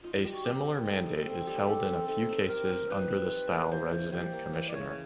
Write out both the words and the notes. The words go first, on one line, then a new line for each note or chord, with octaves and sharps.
A similar mandate is held in a few cases under the style Resident commissioner.
D#4 F4
E4
G3 F4
F#4
C4 G4
G3
A#4
D#4 A4
G3
C4
G3
G4 A4
C4
D#4 A4
C4
G4 A#4
C4
D#4 B4
C4
G3
A#3
E3 C5
C#3 C5
G3 C5
A#3
E3 C5
D5
C#3 C#5